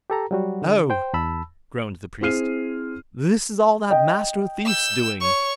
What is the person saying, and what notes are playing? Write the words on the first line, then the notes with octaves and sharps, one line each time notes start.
'Oh!' groaned the Priest, 'this is all that Master Thief's doing.
G4 A4 A#5
F#3 G3 F#4
D3
C5 G5
E2 A5 B5 E6
C4 E4 G#4 F6 C7 D#7
D#5 G5
E6 G6
C#5 C#6